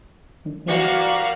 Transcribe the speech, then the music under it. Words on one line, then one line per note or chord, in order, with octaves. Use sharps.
M yeah.
G3 A#3 F#4 F5